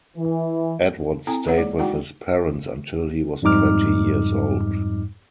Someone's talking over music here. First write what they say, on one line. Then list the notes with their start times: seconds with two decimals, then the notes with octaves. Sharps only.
Edward stayed with his parents until he was twenty years old.
0.17 E3
1.27 C4 E4 A4 G#5 A#5
1.47 E4 G#4 C#5 F#5
1.58 G#3 A#3
1.79 G#3 D#4 E4 F#4 F#5 G5
3.42 F2 G#2 G3 D#4 D6 F6